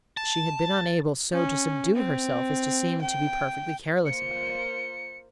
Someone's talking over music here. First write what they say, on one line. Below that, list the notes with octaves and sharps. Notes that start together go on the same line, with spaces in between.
She had been unable so to subdue herself as to seem to be perfectly careless about it.
A5
C#4
C4
G5
A#3 F4 C5 C#7